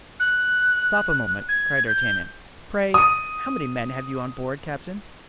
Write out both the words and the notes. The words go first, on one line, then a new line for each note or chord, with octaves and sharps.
"Stop a moment," cried D'Artagnan; "pray how many men have you on board, captain?"
F#6
G#6
G6
D#6 D#7